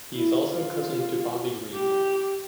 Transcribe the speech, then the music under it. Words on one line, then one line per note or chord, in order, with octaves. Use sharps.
He is also cousin to Bobby Reid.
E4
F4
G4